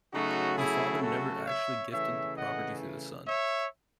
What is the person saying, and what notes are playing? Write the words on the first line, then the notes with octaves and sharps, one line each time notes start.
The father never actually gifted the property to the son.
C#3 F#3 A3 D#4 F#4
E4 G#4
F#4 A4
C#5 E5
C#3 E3 A3 C#5 E5
D#5 F#5
C#5 E5